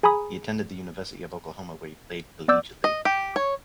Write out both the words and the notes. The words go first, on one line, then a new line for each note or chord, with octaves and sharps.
He attended the University of Oklahoma, where he played collegiately.
G#4 G#5 A#5 B5 D#6
B3 D5 D6 E6 G6
D#5
G4
C#5